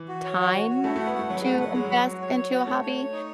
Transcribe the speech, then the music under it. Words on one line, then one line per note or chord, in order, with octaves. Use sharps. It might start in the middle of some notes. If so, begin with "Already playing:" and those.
time to invest into a hobby.
Already playing: E3
F#4
C#5
F#4
F#4
F#4
A3 E4
A3 F#5
B3
A3 F#5
F#3 B4
G#3 F#5
A3
F#3 F#5
G#3 C#5
F#3
F#4
F#4
C#5
C#5
F#4
A3 C#5
C#5
C#5
D#4